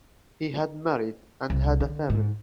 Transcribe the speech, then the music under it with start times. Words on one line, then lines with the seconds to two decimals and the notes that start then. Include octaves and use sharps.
He had married and had a family.
1.50 C2
1.80 D3
2.10 G#2